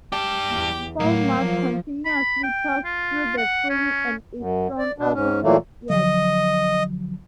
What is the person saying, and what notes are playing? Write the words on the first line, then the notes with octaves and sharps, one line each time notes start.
Fowlmouth continuously talks through the film and is thrown out of the theater.
G3 G4 A5
E2
A2 F#3 A#3
F3
B5
G5
F4
F#5
C#4
F#2
D5
B2 D4
G#2 C#4
A#2 E3 F#3 A3 A#3
D3 F3 F#3 D#5